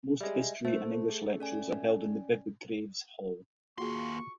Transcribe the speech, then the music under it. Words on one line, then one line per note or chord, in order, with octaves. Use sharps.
Most history and English lectures are held in Bibb Graves Hall.
G3 G#3 E5
A3 C5
G#4
C#4 D5 G#5
D#2 A#3 F4 F#4 G#4 C6 C#6